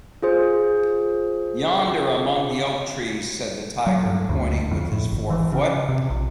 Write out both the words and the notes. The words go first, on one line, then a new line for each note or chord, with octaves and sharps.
"Yonder, among the oak trees," said the tiger, pointing with his fore-foot.
F4 G#4 C5
F#3
G2
D2
F2
A2
G#1
E3
C#3
C3
A#1